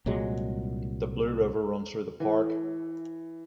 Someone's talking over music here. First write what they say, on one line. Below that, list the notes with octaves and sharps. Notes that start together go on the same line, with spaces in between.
The Blue River runs through the park.
C2 A#2 F#3 G#3
E3